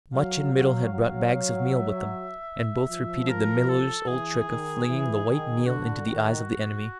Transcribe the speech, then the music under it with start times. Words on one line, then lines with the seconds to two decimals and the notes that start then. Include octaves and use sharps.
Much and Middle had brought bags of meal with them, and both repeated the miller's old trick of flinging the white meal into the eyes of the enemy.
0.14 F#3 F5
0.53 F#3
0.92 F#3
1.71 E5
2.89 F3
3.29 A#4
3.69 A4
4.08 E3 G#4
4.48 D#3
4.87 E3
5.27 D#3
5.66 D3 F#4
6.06 D#3